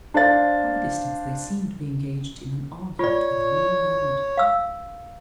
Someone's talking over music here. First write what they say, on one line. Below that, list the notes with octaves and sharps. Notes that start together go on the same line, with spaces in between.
From a distance they seemed to be engaged in an argument of real magnitude.
D4 C5 F5 A6
F4 C#5 D5
F5 E6